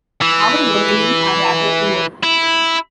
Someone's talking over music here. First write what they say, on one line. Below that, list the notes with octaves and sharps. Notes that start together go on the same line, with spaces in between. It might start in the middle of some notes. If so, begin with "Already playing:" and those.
However, many are rather poor.
E3
E4